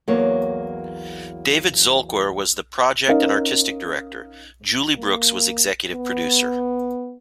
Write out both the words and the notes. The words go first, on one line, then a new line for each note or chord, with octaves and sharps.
David Zolkwer was the Project and Artistic Director, Julie Brooks was Executive Producer.
E2 F#3 A#3 C#5
C#4 D#4 A#4 D#5 F5
A#3
B3